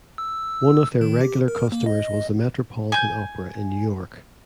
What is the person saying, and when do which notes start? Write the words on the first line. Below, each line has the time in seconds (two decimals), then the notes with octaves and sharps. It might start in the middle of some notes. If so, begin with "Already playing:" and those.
One of their regular customers was the Metropolitan Opera in New York.
0.18 E6
1.01 D#3
1.21 G4
1.48 A#4
1.72 A#3
1.86 D#5
2.92 G#5 G6